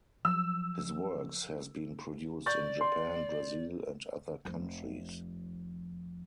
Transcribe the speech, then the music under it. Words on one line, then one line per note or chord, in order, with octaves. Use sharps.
His work has been produced in Japan, Brazil and other countries.
F3 F#3 E6
D5 C#6 G6 A6
C6
F1 F3